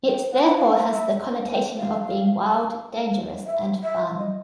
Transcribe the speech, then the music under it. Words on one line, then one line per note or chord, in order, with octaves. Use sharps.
It therefore has the connotation of being wild, dangerous, and fun.
G5
F#5
F#5
F5
E5
G5
F5
E5
E5
D#5